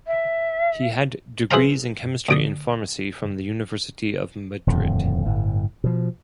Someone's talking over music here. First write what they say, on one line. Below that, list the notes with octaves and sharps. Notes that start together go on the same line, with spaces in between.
He had degrees in Chemistry and Pharmacy from the University of Madrid.
E5
E4 G#4 B4 C5 F5 A#5
D2 D6 D#6
D#1 F2 A2 D3
G1 A2
B2 F3